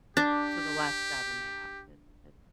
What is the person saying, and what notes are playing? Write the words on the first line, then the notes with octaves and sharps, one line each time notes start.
to the left on the map. It it's
D4 G4